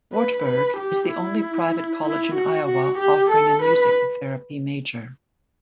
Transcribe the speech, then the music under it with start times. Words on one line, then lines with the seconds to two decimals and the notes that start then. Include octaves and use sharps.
Wartburg is the only private college in Iowa offering a music therapy major.
0.13 B4
0.45 B4
0.76 G4
1.08 E4
2.03 E4
2.35 F#4
2.66 F#4
2.98 G4
3.30 A4
3.62 B4